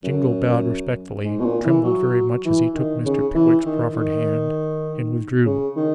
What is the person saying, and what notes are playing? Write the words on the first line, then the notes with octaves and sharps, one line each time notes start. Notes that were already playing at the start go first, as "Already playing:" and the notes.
Jingle bowed respectfully, trembled very much as he took Mr. Pickwick's proffered hand, and withdrew.
F#2
G#2
B2
A#2
E3
F#3
E3
D#3
C#3
E3
D#3
D#3
C#3
D#3